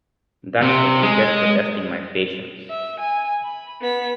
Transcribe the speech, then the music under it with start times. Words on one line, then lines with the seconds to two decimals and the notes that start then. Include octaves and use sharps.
Thatâs what you get for testing my patience.
0.61 C3
1.03 G#3
2.70 E5
3.00 G#5
3.44 B5
3.81 B3 B6